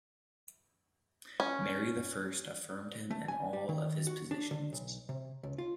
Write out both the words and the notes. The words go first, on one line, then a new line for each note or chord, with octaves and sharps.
Mary the First affirmed him in all of his positions.
C#4
A3
G#5
G3
D#3
F#4
D4
D3
B1
C3
C#2
F4